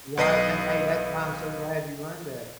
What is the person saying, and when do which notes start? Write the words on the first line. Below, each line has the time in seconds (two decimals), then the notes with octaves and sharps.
Right, na hey, that's why I'm so glad you learned that.
0.17 B1 B4 D#5 C7